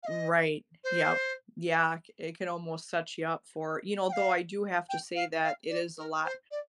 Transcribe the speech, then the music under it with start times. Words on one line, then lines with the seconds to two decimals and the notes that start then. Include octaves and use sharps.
Right. Yep. Yeah, i it could almost set ya up for you know, though I do have to say that it is a lot
0.03 F5
0.06 D#5
0.84 C5
4.08 G5
4.12 F5
4.89 G5
5.15 F5
5.43 F5
5.69 D5
5.97 A#4
6.24 C5
6.51 D5